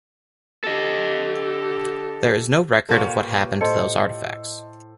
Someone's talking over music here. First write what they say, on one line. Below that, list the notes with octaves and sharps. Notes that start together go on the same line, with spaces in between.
There is no record of what happened to those artifacts.
D3 G4 A4 D#5
A#2 G3 F4 A4 B4 C#5 G5
A2 A4 C5 D#5 C6 C#7